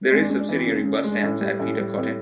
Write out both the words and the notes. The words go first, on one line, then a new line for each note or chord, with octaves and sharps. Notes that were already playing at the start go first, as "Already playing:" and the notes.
There is subsidiary bus stands at Pita Kotte.
G#3 C4
D4
G#3 C#4
D4
E3 B3
C4
C#3 A#3
C4
C#3
G#3
D4
A2 C#4
G3
A2 C#4
G3
A2 C4